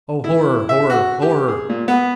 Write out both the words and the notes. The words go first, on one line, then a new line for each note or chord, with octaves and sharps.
Oh, horror, horror, horror!
E4
E5
F#4
G4
G#4
A#2
B3